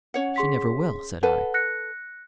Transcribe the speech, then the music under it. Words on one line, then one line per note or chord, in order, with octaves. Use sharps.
"She never will," said I.
C#4 C#5 F#5
G#4 C6 B6
A4 B4 F#5
F#6 A#6 C#7